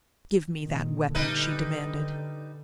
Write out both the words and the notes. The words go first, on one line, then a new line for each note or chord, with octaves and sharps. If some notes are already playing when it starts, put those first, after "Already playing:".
"Give me that weapon!" she demanded.
A#2 D#3
D3 G3 D#4 B4